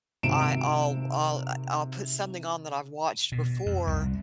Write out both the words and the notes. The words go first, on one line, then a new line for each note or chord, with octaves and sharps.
I I'll I'll, uh, I'll put something on that I've watched before, i
G#1 C3 D7 E7
B2
F2
C2